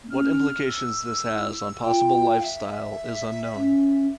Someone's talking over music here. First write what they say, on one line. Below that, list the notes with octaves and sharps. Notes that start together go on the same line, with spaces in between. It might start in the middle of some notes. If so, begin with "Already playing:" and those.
What implications this has on possible lifestyle is unknown.
A#3
C#4 F6
E6
E4
F4 G5
F5
E5
C#4